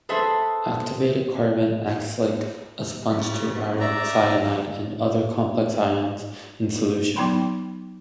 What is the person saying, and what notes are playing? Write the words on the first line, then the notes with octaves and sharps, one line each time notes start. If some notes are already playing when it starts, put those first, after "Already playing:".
Activated carbon acts like a sponge to aurocyanide and other complex ions in solution.
G#4 A4 B4 C5 E5 A5
G#2 C#3
D5 E5 A#5
F#3 B3 D#4 G5 B5 C6